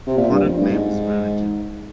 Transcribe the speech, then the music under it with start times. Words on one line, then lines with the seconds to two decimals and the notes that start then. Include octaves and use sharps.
Product name is Veregen.
0.07 C3
0.17 A#2
0.30 G2
0.44 F2
0.58 G2
0.71 G#2